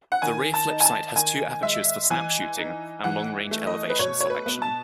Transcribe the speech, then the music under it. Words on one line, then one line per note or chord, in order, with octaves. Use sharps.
The rear flip sight has two apertures for snap shooting and long-range elevation selection.
F#5
D#3 G#5
A5
D#4
G#5
A5
D#3 G#5
G#3 E5
E3 G#5
D#4
E3 F#5
A3
D#5
B4
B2 C#5
C#5
B4
B3
A5